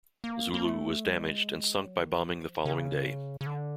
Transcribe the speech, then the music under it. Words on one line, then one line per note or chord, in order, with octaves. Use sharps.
"Zulu" was damaged and sunk by bombing the following day.
A#3
A#3
A3
G#3
G3
G#3
F#3
D3
D#3
E3
F3
C3
C#3
C#3
D3